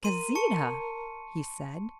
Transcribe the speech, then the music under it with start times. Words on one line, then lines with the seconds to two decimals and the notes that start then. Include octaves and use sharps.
"Gauzita!" he said.
0.04 A#4 C6 D#7
0.35 A5 C#6 C#7